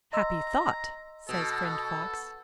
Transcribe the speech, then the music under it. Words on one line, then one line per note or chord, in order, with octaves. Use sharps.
'Happy thought!' says friend Fox.
D#5 A#5 C6 E6
B2 A4